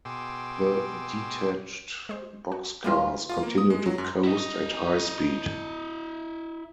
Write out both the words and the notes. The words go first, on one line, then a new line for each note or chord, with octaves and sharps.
The detached boxcars continue to coast at high speed.
B2 G#4 G5 C6 D6 E6
G#3 C5
F#4
A#2 G3 G#3 E4 F4
F4
A#3
D#6
G#3
F#3
F#2
E4 D#5